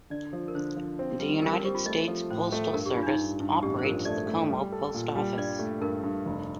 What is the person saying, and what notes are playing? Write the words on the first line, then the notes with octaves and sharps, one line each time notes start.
The United States Postal Service operates the Como Post Office.
D3 D5
F3
A#4
D3 C5
F3
C4
G3
G3 A#4
A#4
C4 G4
F4
A3 D#5
F3
A2 C5
A3
A4
G2 A#4
G4
G2 F4
D4
D#4
G2
G2
A1 G4
C5
F3 A#4
A3 D5
A3
G3
A4
A#2
G3
G2 D5
A3
G2 A#4
G2
F1